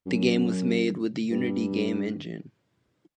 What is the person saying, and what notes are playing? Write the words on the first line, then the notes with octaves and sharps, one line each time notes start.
The game was made with the Unity game engine.
F#2
G2